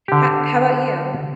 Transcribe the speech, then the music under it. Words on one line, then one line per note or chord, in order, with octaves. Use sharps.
Ho how 'bout you?
D3 G4